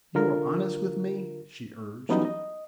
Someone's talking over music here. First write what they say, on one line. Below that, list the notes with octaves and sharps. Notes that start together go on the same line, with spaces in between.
"You are honest with me?" she urged.
D3 F4 A#4
E3 F#3 G3 B3 C#4 D#4
D#5